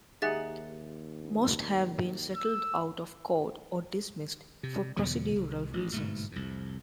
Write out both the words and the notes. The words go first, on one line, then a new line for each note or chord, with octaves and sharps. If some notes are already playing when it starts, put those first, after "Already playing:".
Most have been settled out of court or dismissed for procedural reasons.
D#2 D#4 G4 G#4 E5 F#5 A6
E6
C3
E2 B2 D3 F#3
C2
A1
G1 G#2 B2 A3
C2 F2